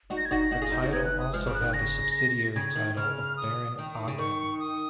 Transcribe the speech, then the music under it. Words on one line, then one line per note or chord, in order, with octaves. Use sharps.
The title also had the subsidiary title of Baron Aghrim.
D#4 F#4
A#6
G#6
D#4 F#4 A#6
D#4 F#4
F4 G#4
D#4 F#4
D#4 F#4
B3 D#4 G#6
F#6
D#6
F3 G#3 F6
C#3 F3
F#6
D#3
C#3 A#6
C#3 G#6
D#3
C#3 F6
D#6
D#3
C#3
D#3 C#6
D#6